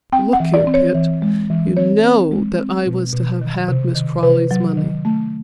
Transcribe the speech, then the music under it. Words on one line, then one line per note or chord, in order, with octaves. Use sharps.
Look here, Pitt--you know that I was to have had Miss Crawley's money.
C4 G5
F#5
E3
D5
C4
C#5
E3
G#3
E3
C4 C#5
C4
G#3
C4
B2
B2
D#3
C3
D#3
C3 B4
F#3
D#3
A3